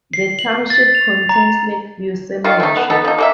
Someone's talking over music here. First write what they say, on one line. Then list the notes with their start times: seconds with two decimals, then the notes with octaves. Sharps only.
The township contains Lakeview Cemetery.
0.13 C7
0.39 F#7
0.70 A6
0.95 F7
1.29 A#5
2.44 D#3 F4
2.60 A3 D#4
2.77 B3
2.90 B3 D#4 A4
3.04 F3 D#4
3.18 A#3 G#4 E5